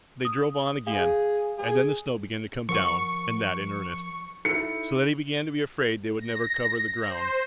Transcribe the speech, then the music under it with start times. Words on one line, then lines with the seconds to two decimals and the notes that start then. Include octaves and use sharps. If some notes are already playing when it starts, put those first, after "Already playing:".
They drove on again and then the snow began to come down and that in earnest, so that he began to be afraid they would never cover the ground.
0.25 D#6
0.87 G#4 F5
1.58 G#4
2.69 F3 A#4 F#5 C#6
4.45 D#4 E4 A4 C#7
6.18 A#6
7.05 C5